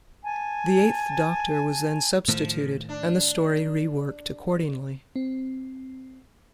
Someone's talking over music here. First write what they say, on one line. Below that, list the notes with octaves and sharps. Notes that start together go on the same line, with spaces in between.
The Eighth Doctor was then substituted and the story reworked accordingly.
G#5 A5
A2 D#3 F3 A3
D4
C4